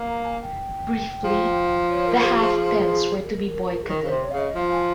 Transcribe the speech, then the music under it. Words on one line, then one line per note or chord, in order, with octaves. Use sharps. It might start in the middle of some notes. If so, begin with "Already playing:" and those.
Briefly, the half-pence were to be boycotted.
Already playing: A#3
A#5
G#5
G5
F3
C#5
A#4
G4
G#4
A#4
G#4
D#3 A#4
C#3
C3 C5
C#5
C#3 F5
D#5
F3 F5
G#5